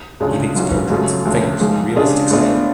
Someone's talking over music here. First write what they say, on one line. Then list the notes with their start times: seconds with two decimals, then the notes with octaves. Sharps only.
He paints portraits and figures in a realistic style.
0.20 D2 C#3 G#3 D4 F4
0.55 G#2 F#3 C#4 F4
0.90 F#2 C#3 F#3 A3 F4
1.25 D2 C#3 F3
1.60 G#2 F3 G#3
1.96 C#3 G#3 D4 F4
2.31 A2 G#3 B3 D4 F4